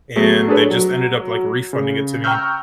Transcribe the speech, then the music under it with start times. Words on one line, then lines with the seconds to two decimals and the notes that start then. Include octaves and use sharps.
and they just ended up, like, refunding it to me
0.16 F#3 A3 B3 G#4
0.48 D4 G#4 A4 B4 C#5
0.71 F#3
1.73 C#3
2.24 G5 A#5 C#6 E6 F6 G6